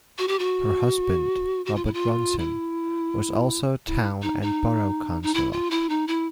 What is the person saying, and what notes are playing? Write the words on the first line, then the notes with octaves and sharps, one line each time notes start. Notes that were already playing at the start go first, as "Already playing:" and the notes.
Her husband, Robert Ronson, was also a town and borough councillor.
F#4
G4
F#4
F#4
F4
E4
F4
E4
E4
D#4
D#4
D#4
E4
F4
E4
D#4
E4